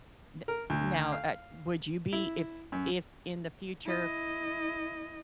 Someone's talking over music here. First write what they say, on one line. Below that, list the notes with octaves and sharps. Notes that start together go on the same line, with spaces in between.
N now, uh, would you be if if in the future
A#4
D2
F5
E4
F#2
E4 D#5